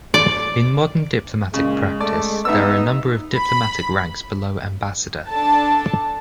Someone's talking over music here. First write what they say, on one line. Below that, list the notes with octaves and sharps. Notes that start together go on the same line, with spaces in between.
In modern diplomatic practice, there are a number of diplomatic ranks below Ambassador.
D5
A#2 C#3 G#3
A3 D5
B3 D#4 E5 E6
B5
D4 A4 A5